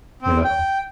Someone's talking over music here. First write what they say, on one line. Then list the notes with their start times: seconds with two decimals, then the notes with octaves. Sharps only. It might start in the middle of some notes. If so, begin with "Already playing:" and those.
you know?
0.22 C4
0.44 G5